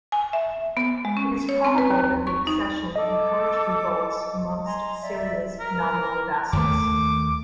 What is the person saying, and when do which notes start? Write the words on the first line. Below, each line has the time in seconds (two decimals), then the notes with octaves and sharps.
It is probable that the accession encouraged revolts amongst Assyria's nominal vassals.
0.12 G#5
0.33 E5
0.77 B3
1.05 G#3
1.17 C#4
1.49 C#5
1.65 C4
1.78 B4
1.91 D#2
2.27 C#6
2.47 D#4
2.96 A4 D#5 D6
4.65 G#5 A#5 C6
5.02 D5 E5
5.60 A#4
6.53 D#2 D#3 A3 D6